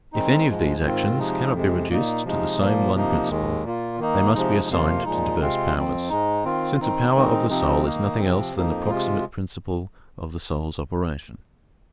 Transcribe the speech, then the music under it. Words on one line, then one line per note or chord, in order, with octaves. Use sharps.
If any of these actions cannot be reduced to the same one principle, they must be assigned to diverse powers; since a power of the soul is nothing else than the proximate principle of the soul's operation.
D#3 G#3 C4 D#4
G#2 F3 G#3
G#2 D#3 C4 F4
C3 F3 G#3 D#4
F2 C3 G#3
A#2 A#3 D#4
C3 F3 G#3 D#4
A#2 F3 A#3
C3 F3 A#3 D#4
D#2 D#3 G#3
A#2 A#3 F4
D#3 A#3 D#4
C3 F3 G#3 D#4
F2 C3 F3 A#3 F4
A#2 F3 G#3 D#4
C3 G#3 C4 F4
F2 F3 C4
G#2 G#3 D#4
D#3 C4 F4
D#3 C4 D#4
D#3 G#3 C4 D#4
C3 F3 C4 D#4
D#3 A#3 D#4
C3 F3 C4
F2 F3 A#3 D#4
C3 G#3 F4